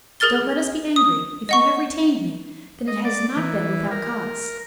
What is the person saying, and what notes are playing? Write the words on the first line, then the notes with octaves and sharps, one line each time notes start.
"Don't let us be angry; if you have retained me, then it has not been without cause."
G#4 A#4 F6 A6 G7
D#6
D#5 F#5 C#6
D#5
D5
E3
A#4